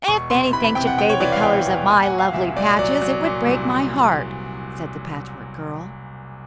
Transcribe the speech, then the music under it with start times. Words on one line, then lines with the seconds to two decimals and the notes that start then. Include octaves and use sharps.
"If anything should fade the colors of my lovely patches it would break my heart," said the Patchwork Girl.
0.08 E1 C#6
0.30 C3 C6
0.53 E3 B5
0.64 B5
0.75 C3 G5
0.87 F#5
0.98 C3 G5
1.09 C#5
1.20 E3 D5
1.32 F5
1.43 E2 G5
1.66 E2
1.88 A#2 G#5
2.03 F#5
2.11 F#3
2.19 F5
2.33 C2 E5
2.56 A#2 D5
2.79 F#3 D5
3.02 F#3
3.24 A#2
3.46 C2